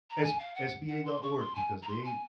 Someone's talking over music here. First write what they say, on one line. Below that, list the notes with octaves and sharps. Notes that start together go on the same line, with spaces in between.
s sba.org because they
A#5
G#5
F5
F#5
F#5
C6
C#6
C6
G#5
A#5
C6
G#5